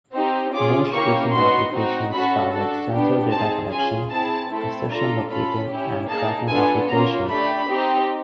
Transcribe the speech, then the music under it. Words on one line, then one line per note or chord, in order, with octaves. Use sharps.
Most recent applications target sensor data collection, precision locating and tracking applications.
C4 D#4 G4
C#4 F4 G#4 D6
A#3 C#4 E4 G4 C#6
B3 D#4 F#4 C6
C4 D#4 F#4
C#4 F#4 A4 B5
D4 F#4 A4
B3 D4 G4
C4 D#4 G#4 A5
C#4 F4 G#4 G#5
C4 E4 G#4 A5
A3 C4 E4 A4
D4 F4 A4 A#5
C#4 F4 A4 B5
C#4 E4 G4
A#3 D#4 G#4 A5
B3 D4 F4 A4 G#5
A#3 C#4 F4 A#5
A3 D4 G4 B5
C4 D#4 G4